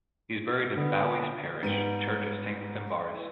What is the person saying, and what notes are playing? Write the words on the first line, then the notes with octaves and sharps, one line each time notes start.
He is buried in Fowey's parish church of Saint Fimbarrus.
D3 B3
G#2 G3 B3 D#7
E3